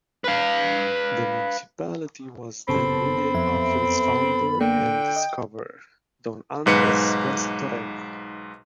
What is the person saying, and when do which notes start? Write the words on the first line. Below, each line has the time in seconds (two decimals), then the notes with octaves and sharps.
The municipality was then renamed after its founder and discoverer, Don Andres Garchitorena.
0.24 B4 F5
2.68 G1 F#2 C#3 B3 C4 A4 A5 B5
3.34 F2 E5
4.61 D3 A#3 G5
5.16 D#5
6.66 B1 G#2 B4 C#7